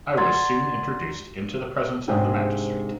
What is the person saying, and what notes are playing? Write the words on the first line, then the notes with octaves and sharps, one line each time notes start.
I was soon introduced into the presence of the magistrate.
D5 F#5 A#5 C6 G#6 A6
G#2 C3 G#3 D4 G#4 G5